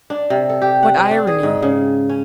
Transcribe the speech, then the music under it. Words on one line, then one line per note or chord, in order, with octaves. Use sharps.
What irony!
D4
C3
A4
G4
F#5
C4
D4
G#4
G#2
C#3
C#4